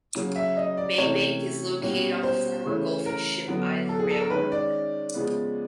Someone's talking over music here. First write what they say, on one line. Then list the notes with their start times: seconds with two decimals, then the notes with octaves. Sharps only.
Maybank is located on the former Gulf and Ship Island Railroad.
0.15 C#3 F#3 A#3 C#4
0.36 E5
0.57 D#5
0.77 D5
0.98 C3 E3 A3 C#4 C#5
1.82 B2 G3 A#3 C#4
2.23 C5
2.64 C#3 E3 A3 C#4
3.06 A#4
3.47 D3 F#3 B3
3.89 A4
3.99 G#4
4.10 A4
4.20 A#4
4.30 D#3 G#3 C#4 B4
4.52 D5
5.14 C#3 F3 G#3 B3